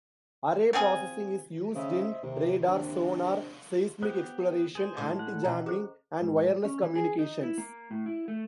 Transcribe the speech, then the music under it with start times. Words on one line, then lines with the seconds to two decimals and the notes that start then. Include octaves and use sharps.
Array processing is used in radar, sonar, seismic exploration, anti-jamming and wireless communications.
0.73 F3 C4 G#4 G#5
1.75 C#3 C5 D#5 E5
2.23 D#2 C3
2.63 C3 D4
4.03 B3 G4 C5
4.75 G#4 C5
4.97 A2 G#3 D5 D6
5.19 F#5
5.44 B2 E3 C#4 D#4 D#5 A#5
5.66 F#4 G#4 A4 C5
6.21 G#2
6.65 C#4
6.83 E3
6.96 G#4
7.19 D#4
7.43 E4
7.58 A#3
7.91 A2
8.06 E4
8.28 A3